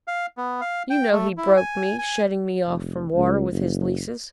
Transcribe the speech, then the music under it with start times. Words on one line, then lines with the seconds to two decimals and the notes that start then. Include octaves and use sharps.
You know he broke me, shutting me off from water with his leases.
0.07 F5
0.37 B3
0.61 F5
0.90 G5
1.12 A3
1.37 E4
1.56 G#5
1.98 G#5
2.67 F1
3.16 C#2
3.51 F#1